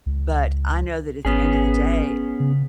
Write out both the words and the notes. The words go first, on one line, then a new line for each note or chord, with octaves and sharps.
but I know that at the end of the day,
C#2
G#1 B3 C#4 G#4
C#3